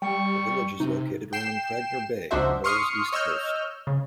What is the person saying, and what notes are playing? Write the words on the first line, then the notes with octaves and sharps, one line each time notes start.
The village is located around Craignure Bay, on Mull's east coast.
G3 G5 C#6
C3 D#4
G5 C7 E7
C#2 D4 D#4 F#4 C5 E5
C6 C#6 D#6 F6 C7 C#7
C#5 D#5 E6 F6 G6
C#3